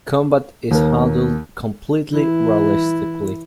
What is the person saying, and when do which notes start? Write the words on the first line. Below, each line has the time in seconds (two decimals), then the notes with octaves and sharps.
Combat is handled completely realistically.
0.71 D#2 A#4
2.12 E3 E4